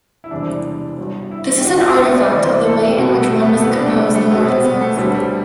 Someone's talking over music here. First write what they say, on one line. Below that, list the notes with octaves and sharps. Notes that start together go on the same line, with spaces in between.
This is an artifact of the way in which one must compose the morphisms.
E4
E1 E2 C3 E3 G3 D4
G1 G2 F#3
E4
G4
E1 E2 D3 F#4
G4
F#4
E5
D5
D2 C3 E3 D5
C5
B4
A4
G4
C2 B2 G3 F#4
F#4
A3
G3
B3
A3
A3
C2 C3 G3 B3
D4
A3
G3
A3
B1 B2 F#3 B3
C4
B3
B3
A3
D2 D3 F#3 G3
G3